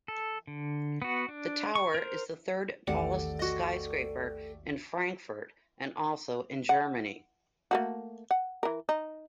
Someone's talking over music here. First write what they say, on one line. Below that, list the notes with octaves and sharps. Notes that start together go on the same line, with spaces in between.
The tower is the third tallest skyscraper in Frankfurt and also in Germany.
A4
D3
B3 F#4
D4
C#6
A#4 C5
A#1 E2 D#3 A3 G4 A4 D5 F#5
F#4 D#5
F#5
A3 A#3 F#4
F#5
E3 A#4
D#4